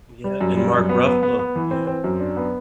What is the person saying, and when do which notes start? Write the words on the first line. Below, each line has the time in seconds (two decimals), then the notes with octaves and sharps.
Yeah, and Mark Ruffalo. Yeah.
0.24 G3
0.41 F#2
0.57 G3
0.74 F#2
0.89 B3
1.06 B3
1.23 B3
1.39 B3
1.56 E3
1.71 C4
1.87 C4
2.04 F#2
2.20 D4
2.37 B3